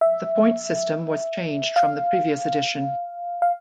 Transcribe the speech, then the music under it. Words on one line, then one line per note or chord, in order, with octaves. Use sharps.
The points system was changed from the previous edition.
E5
F5
F5